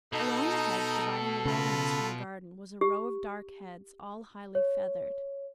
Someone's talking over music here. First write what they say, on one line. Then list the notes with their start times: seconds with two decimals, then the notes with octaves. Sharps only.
Along the hedge dividing the wilderness from the garden was a row of dark heads, all highly feathered.
0.13 B2 D#4 A4
1.45 C#3 F4 B5
2.81 G4
4.55 C#5